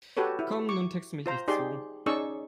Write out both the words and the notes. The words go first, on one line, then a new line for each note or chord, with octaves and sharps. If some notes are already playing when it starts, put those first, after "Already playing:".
Komm, nun texte mich nicht zu.
F#4 G4 A4 B4 C#5
E4
C#6 D6
F4 C5 A#5
D#4 G4 G#4 D5 C6
C#4 D#4 G#4 D5 C#6 E6